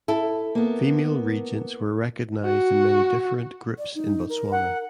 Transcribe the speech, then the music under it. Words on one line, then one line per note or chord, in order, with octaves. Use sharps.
Female regents were recognised in many different groups in Botswana.
E4 A4
A#3 B3
F#4
D5
D#4
A#4
F#5